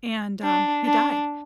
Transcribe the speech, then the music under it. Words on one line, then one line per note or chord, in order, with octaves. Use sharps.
and, um, he died.
D4
D4